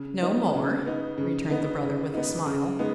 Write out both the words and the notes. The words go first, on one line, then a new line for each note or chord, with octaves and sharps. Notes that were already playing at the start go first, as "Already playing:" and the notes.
'No more?' returned the brother, with a smile.
Already playing: C#3
B3 D#4
C#3
B3 D#4
C#3
B3 D#4
C#3
B3 D#4
C#3
G#3 B3 D#4